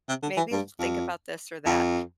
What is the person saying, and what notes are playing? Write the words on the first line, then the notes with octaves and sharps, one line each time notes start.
maybe think about this or that."
C3
D3
E3
G2
F2
F2